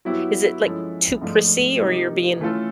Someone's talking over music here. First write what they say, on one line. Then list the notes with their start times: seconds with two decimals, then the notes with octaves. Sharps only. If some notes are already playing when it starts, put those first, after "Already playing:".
is it, like, too prissy or you're being
0.05 F#3 B3 E4 G4
0.63 F3 G#3 C#4 E4 A4
1.22 G#2 F3 A3 D4 F4
1.81 C3 F3 A#3 D#4 G4
2.40 E3 A3 C#4 F4 A4